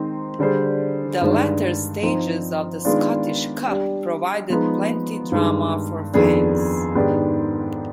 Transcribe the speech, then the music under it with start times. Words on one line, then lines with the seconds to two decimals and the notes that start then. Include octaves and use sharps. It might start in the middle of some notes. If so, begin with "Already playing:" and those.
The latter stages of the Scottish Cup provided plenty drama for fans.
Already playing: D#3 G#3 C4 D#4
0.39 D3 G3 D4 G#4 C5
1.21 G2 D#3 G#3 D4
2.03 F3 C4 D#4
2.85 D#3 G#3 B3 D4 F4
3.67 G3 D4 G4
4.50 F3 G#3 B3 D#4
5.32 G2 D#3 G#3
6.13 F2 D#3 B3 D4 G#4
6.95 G#2 D#3 B3 D4 G4